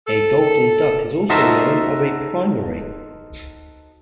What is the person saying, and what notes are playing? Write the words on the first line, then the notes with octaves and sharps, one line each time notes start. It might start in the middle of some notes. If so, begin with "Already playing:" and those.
A "golden duck" is also known as a "primary".
A4
D#4 F#4 A4 A#4 C5 E5